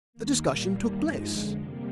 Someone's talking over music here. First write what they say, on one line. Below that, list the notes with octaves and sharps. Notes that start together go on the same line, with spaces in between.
The discussion took place.
D#2 D#3 A#3
A#2 G3 A#3
D#2 D#3 G3 A#3 F4
G2 F3 G#3 D#4
F2 D3 G#3
C3 G3 A#3 G4